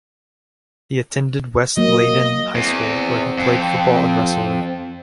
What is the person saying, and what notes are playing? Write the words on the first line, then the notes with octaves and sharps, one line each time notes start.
He attended West Leyden High School where he played football and wrestling.
F#3 A#3 D#5
E2 C4
F2